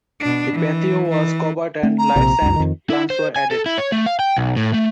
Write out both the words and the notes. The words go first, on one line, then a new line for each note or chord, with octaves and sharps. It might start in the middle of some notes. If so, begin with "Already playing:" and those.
The patio was covered and lights and plants were added.
B2 D4
E3
E3
A3 C4
A#5
A#1 C3
C#2 F#2
F2 D#3
E4
C5
G#5
A4
E4
C#5
A3
F5
G5
B1
A2
A3